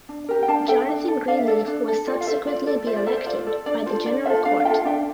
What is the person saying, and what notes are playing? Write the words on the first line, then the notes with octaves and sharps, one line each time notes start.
Jonathan Greenleaf was subsequently be elected by the General Court.
D4
G4 A#4
G5
D4 F5 A5
A4 E5 G5
D4
A4
D4 D5 F5
E5
A4 D5
D4
A4
F4 D5
F5
A4 C5 E5
F4 D5
A4 D5
F4 C5 E5
D5
A4 C5 E5
C5 E5
F4 D5
A4 D5
D4 D5
F4 A4 C5
D4 D5
F4 A4 C5 E5
D4 D5 F5
F5
F4 A4 E5 G5
F5
D4 E5 G5